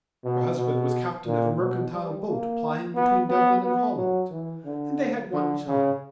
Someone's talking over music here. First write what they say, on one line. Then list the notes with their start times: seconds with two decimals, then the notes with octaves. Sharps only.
Her husband was captain of a mercantile boat plying between Dublin and Holland; and they had one child.
0.24 B2
0.58 B2
1.26 A#2
1.60 B2
1.94 G3
2.27 A#3
2.96 B3
3.30 B3
3.63 B3
3.98 F#3
4.31 E3
4.65 D3
5.33 D3
5.67 C#3